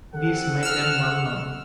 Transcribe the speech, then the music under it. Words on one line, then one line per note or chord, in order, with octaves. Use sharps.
This made them well known.
C4 G4 A4 F#5
E6 F6